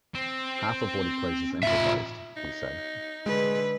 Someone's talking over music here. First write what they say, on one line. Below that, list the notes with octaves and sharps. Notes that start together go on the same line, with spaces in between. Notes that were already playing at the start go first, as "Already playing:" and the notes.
Half of what he plays is improvised, he said.
C4
A2 C3 F4 E5
D#4
D3 G#3 B4